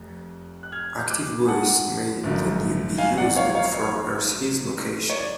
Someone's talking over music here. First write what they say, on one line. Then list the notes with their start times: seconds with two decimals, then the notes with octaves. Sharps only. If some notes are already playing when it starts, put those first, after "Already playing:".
Active buoys may then be used for precise location.
Already playing: F1 F2
0.63 F#6
0.72 F6 G#6
1.09 D6 F#6
1.42 G#5
1.48 F#5 A5
2.23 G#1 F#2 D3 F3
2.98 F5 G#5
3.18 D5 F#5
3.36 C#5 F5
3.55 C#5 F5
3.74 C#5
5.10 C#5
5.17 D5